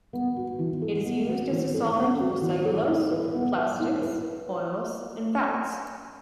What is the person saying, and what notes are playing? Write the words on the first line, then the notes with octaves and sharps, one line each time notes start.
It is used as a solvent for cellulose, plastics, oil and fats.
B3
F#4
E3
A4
B3
F#4
E3
A4
B3
F#4
E3
A4
E4
B4
B3
E5
E4
B4